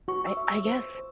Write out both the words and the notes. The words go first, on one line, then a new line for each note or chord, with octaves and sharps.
I I guess,
F#4 C#6
E6
E5
E6
C5
C5